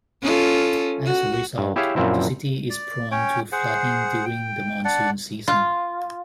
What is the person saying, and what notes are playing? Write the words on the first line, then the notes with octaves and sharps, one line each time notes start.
As a result, the city is prone to flooding during the monsoon season.
C#4 F4 A4
F#4
G2
E4 G4 G#4 C#5 E5 F5
F#2 A#2 F3 C4 E4
D5
C#4 C#5 G5
G#4 C5 F#5
G5
D4 D5 F#5
F4